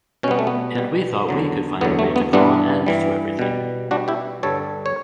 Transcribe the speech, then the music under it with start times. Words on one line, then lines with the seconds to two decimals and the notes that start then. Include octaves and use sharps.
And we thought we could find a way to call an end to everything.
0.23 B2 C#4
0.28 G3 B3
0.39 A3
0.47 B3
0.75 B2 G3
1.29 E2 D3 F#3
1.81 E2 D3 F#3 B3
1.99 A3
2.16 B3
2.33 G2 E3 G3 B3 D4
2.86 G2 E3 G3
3.39 B2 G3
3.91 B2 G3 D4 F#4
4.08 E4 G4
4.43 G2 D3 G3 A4 C#5
4.86 C#5